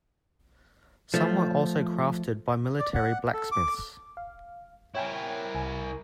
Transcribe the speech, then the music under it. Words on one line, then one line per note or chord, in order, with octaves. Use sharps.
Some were also crafted by military blacksmiths.
F3 A3
D5
F#5
A4
D6
F5
E4 A#4 C#5 G5 G#5
C2 G#5